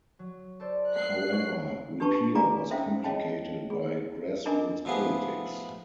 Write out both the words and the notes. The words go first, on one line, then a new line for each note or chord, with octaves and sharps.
However, repeal was complicated by grassroots politics.
F#3
A4 C5 D5
F#6 C7
C#5
D4 G4 A4 B4 A5 C#6
D5 F5 G#5 A#5 D6
C#4 A4 C5 E5 F5 G5
G#4 C#5 D#5 F5 G5 A5
G#4
D4 D#4 A#4 D#5 G#5 D6
A2 F3 B3 G4 G#4